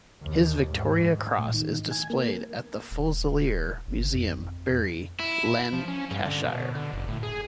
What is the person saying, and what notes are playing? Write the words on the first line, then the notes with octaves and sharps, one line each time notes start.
His Victoria Cross is displayed at the Fusilier Museum, Bury, Lancashire.
D#2
G#2
A2
D#3
G#5
A#3
D#1
G1
F2
E4
F3
C#4
G2
D3
B2
D3
F#1
A2
G#4